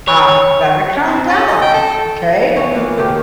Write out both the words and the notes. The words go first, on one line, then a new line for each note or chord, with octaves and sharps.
Um. Let it calm down. M'kay?"
C#5
C4
C#4
D#5
G5
A4
E3 B3 E4 C#5
E3 A#3 F4
A#2 D#3 A3 G4